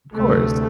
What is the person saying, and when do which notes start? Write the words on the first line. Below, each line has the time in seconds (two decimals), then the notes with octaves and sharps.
Of course.
0.14 D2 C3 A3